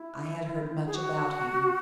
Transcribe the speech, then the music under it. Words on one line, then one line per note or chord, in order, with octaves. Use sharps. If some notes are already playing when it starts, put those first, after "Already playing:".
I had heard much about him.
Already playing: E4
G#4
F#4